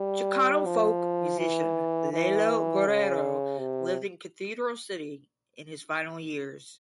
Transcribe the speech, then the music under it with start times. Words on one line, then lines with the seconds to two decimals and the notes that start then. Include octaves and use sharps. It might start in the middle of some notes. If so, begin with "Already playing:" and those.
Chicano folk musician Lalo Guerrero lived in Cathedral City in his final years.
Already playing: G3
0.66 F3
1.38 E3
2.13 E3
2.86 C#3
3.59 C3